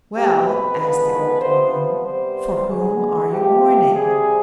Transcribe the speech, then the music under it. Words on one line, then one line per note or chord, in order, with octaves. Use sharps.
"Well," asked the old woman, "for whom are you mourning?"
B2 G#3 C4 G4
B4
D3 F3 G#3 B3 B4
C3 F3 B3 C5
B4
C3 G3 B3 C5
D3 G#3 B3 G#4
C3 F3 G#3 G4
C3 G3 C4 G#4